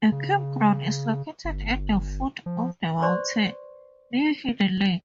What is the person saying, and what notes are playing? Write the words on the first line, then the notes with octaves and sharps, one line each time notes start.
A campground is located at the foot of the mountain, near Hidden Lake.
C#3
G1
F3
B4 C5 D5 C6 C#6